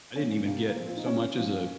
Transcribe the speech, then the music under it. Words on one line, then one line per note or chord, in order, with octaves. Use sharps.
I didn't even get so much as a,
A#2 F3 C#4
C2 A#3
A#3
A#2 F3 C4
F4
D#4
C2 C#4
A#2 F3